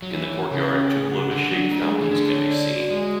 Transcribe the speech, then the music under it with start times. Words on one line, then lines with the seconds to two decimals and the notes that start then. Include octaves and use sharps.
In the courtyard two lotus shaped fountains can be seen.
0.02 F#3
0.11 E3 C#5
0.31 C#5
0.51 C#3 C#5
0.71 C#4
0.92 G#4
1.11 F#5
1.31 D3 F#5
1.51 F#3 D4
1.71 F#3 A3
1.81 G#3
1.91 G#4
2.01 E3
2.11 D3 D4
2.30 C#5
2.50 D5
2.70 F#4
2.91 G#3 F#4